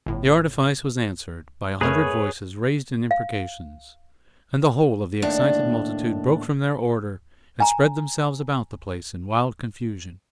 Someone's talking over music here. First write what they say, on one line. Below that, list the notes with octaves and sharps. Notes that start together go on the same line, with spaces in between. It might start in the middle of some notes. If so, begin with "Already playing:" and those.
The artifice was answered by a hundred voices raised in imprecations; and the whole of the excited multitude broke from their order, and spread themselves about the place in wild confusion.
G1 A2
F2 A3 G#4 A#4 B4 C#5
F5
D#2 A2 D4
G#5 A#5